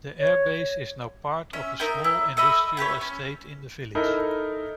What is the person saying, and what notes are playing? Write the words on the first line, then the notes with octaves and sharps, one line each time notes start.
The airbase is now part of a small industrial estate in the village.
C#5
C#4 E5
D#4 A#4 E5 G5
E4
A4 D#5 E5 B5
E4 G4 B4 C#5
C#4
D#4 E4 A4 A#4